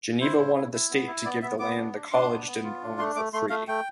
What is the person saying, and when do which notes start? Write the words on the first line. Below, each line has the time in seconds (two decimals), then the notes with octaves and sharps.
Geneva wanted the state to give the land the college didn't own for free.
0.21 E4 C5
0.38 E4
0.56 E4
0.72 E4
0.90 B3
1.07 E4
1.25 B3 D5
1.42 B3 E5
1.59 B3 D6
1.76 D4
1.94 D4
2.11 D4 C6
2.29 B3
2.47 B3
2.64 F4
2.81 D4
2.99 A3 C6
3.16 A3 D6
3.33 A3 C6
3.50 A3 F5
3.68 A3 G5